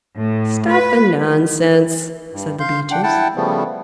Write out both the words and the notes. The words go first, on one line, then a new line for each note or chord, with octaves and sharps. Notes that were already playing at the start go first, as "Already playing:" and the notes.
"Stuff and nonsense!" said the Beeches.
A2
B4
G2
F5 C6 G6
D4 F#5 G5
E4 F#5 G5 A5
C#3 F3 G3 A3 B3